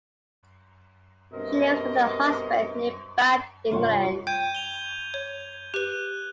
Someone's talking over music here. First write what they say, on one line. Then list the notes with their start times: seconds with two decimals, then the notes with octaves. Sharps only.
She lives with her husband near Bath, England.
1.33 G2 B2 C4 A#4 D#5 E5
3.71 F1 G2 F4 C#5 F#5
4.27 G5 G6 G#6 D#7
4.55 F7 G7
5.14 C#5
5.74 G4 B4 F#6